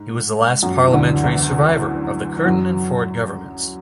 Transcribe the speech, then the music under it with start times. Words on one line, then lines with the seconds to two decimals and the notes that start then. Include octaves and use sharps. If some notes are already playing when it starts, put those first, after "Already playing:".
He was the last parliamentary survivor of the Curtin and Forde governments.
Already playing: G#2
0.63 F#2 F#3
0.88 E3
0.92 D2 D3
1.23 E2 E3
2.37 E3
2.46 F#2 F#3